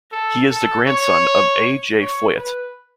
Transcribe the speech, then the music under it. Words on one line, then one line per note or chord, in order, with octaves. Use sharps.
He is the grandson of A. J. Foyt.
A4
A4
C#5
C#5
B4